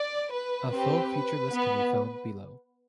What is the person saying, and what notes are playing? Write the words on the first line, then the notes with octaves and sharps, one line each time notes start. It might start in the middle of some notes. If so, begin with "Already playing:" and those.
A full feature list can be found below.
Already playing: D5
B4
C4 G4 B4
B3